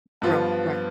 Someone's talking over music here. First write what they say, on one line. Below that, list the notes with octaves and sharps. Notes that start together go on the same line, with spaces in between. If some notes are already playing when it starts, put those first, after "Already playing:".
Growing, right.
G2 F3 B3 F4